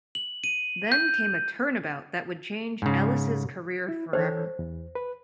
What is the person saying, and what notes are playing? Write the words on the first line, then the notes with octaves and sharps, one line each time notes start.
Then came a turnabout that would change Ellis's career forever.
F#7
D#7
G6
G#2 C#3
E4
E3 A4 C5 C#5
E2
B4